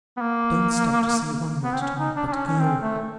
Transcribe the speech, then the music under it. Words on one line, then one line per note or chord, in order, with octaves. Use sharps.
Don't stop to say one word to me, but go.
B3
A#3
B3
C4
C#4
D#4
D4
D4
C#4
C#4
C4
A3